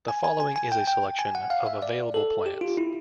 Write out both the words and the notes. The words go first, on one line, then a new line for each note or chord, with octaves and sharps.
The following is a selection of available plants.
G#5
G#5
G#5
G#5
G5
G5
G#5
F#5
F5
E5
D5
A4
G4
F4
E4